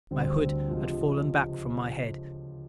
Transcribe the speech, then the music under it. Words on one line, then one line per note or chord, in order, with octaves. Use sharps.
My hood had fallen back from my head.
D2 D3 G3 C4
C#2 C3 F3